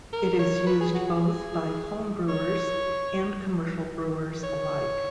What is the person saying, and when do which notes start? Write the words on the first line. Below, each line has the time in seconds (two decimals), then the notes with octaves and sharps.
It is used both by homebrewers and commercial brewers alike.
0.13 A#4
0.39 C#5
0.66 B4
0.81 G#4
0.94 F#4
1.07 G#4
2.29 C#5
4.43 C#5